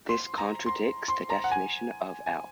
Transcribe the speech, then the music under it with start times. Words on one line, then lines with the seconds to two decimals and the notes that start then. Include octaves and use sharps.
This contradicts the definition of "L".
0.09 C6
0.38 A#5
0.66 C6
1.08 C6
1.30 A#5
1.44 F#5
1.52 G#5
2.26 G#5